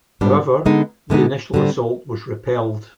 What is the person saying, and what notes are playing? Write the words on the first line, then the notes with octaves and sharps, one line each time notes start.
However, the initial assault was repelled.
G#2 G3 B3 D4
D3 G#3 B3 D#4
D3 G#3 B3 D#4
D3 G3 C4